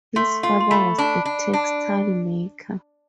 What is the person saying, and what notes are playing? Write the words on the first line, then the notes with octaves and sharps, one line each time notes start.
His father was a textile maker.
A3 C6
F4 C6
C6
A3 B5
D4
D4
D4